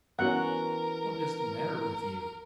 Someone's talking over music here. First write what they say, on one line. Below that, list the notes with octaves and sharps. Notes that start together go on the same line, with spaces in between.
"What is the matter with you?"
E3 B3 C#4 F#4 A#4 F#5